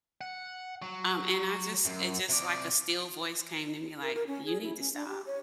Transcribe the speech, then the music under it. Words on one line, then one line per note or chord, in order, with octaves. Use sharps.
Um, and I just it just like a still voice came to me, like, "You need to stop."
F#5
F#3
F#2
C3 D5
A#4
A#4
C#4
G#4
E4
C#4
D4
G4
C#5